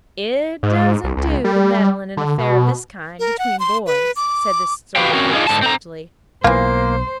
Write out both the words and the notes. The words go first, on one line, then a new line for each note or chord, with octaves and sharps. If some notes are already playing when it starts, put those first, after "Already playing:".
"It doesn't do to meddle in an affair of this kind between boys," said the Story Girl sagely.
G#2
C2
C#2
G3
D3
B2
A#4
F#5
C6
B4
D6
F#4 G4 B4 F5 G5
C4 C#4 F#4 A#4 C#5
D4 D#4 F4 G#4
G#2 D3 A5
C4 A#5
B1 E3 A#3 F4 C5